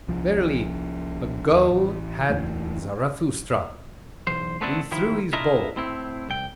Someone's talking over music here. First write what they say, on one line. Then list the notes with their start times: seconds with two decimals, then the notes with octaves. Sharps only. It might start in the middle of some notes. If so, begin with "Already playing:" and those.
Verily, a goal had Zarathustra; he threw his ball.
0.08 C2 F3
1.52 D#2
1.70 A1
2.29 D1 E2 E3 A3
4.27 B1 E2 C5
4.61 A3 B3 C4 D4 E4
4.92 D#3 F3 E4
5.33 D4 E4 F4 A#4 D#5 E5
5.76 A2 C4 E4
6.29 C2 G5